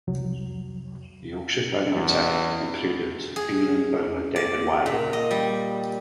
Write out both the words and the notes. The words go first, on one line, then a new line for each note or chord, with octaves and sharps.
The Yorkshire bowling attack included England bowler David Willey.
C2 F2 F#3
E2
G#4
D5
A#2
D#5
G3